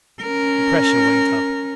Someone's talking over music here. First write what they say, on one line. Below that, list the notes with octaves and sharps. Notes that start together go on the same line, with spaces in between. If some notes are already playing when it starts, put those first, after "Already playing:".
The pressure went up.
C#4 A#4